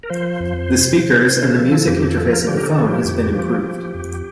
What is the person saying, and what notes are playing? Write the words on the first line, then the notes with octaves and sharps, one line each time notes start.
The speakers and the Music interface of the phone has been improved.
A#4
F3 C5
F2
C3
C3
C3 C5
A#4
A4
F3
A4
F2 G4
A4
F3
A#4
D3 G4
A#4
A4
F3
G4
F2
F3
F3
F2